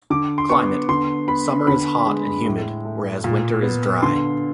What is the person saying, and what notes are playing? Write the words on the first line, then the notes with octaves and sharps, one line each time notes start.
Climate: Summer is hot and humid whereas winter is dry.
D3 D6
C6
B3 C#6
D3 C6
B3 B5
D3 B5
G#3
A2
A3
A#2
B3
D3 C6